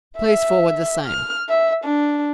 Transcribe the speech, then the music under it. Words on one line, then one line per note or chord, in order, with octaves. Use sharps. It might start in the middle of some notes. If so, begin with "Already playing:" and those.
Pleas forward the same.
E5
F6
E5
D4